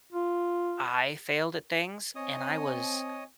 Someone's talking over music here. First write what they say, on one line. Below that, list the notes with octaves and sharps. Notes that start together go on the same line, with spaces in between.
I failed at things, and I was
F4
C4 C#5 D#5 G#5 D#6